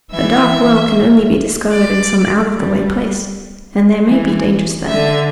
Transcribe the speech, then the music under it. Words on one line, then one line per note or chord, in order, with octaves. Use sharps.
"A dark well can only be discovered in some out-of-the-way place, and there may be dangers there."
E3 E5
D5
G3
E3
D3 E5